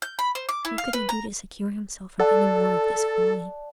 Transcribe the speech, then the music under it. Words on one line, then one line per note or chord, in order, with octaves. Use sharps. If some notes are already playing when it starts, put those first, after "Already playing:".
What could he do to secure himself from any more of this folly?
G6
B5
C5
D6
E4
F5
B4
A#5
A4 D5 F#5 A5